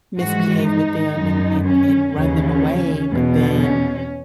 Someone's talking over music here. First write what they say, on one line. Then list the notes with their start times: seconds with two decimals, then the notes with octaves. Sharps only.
misbehave with them and and and run them away, but then
0.19 G#2 E3 F#4
0.67 D#4
1.16 F#2 D#3
1.64 C#4
2.12 D#2 C#3 E3 C#4
3.09 E2 B2
3.57 C#4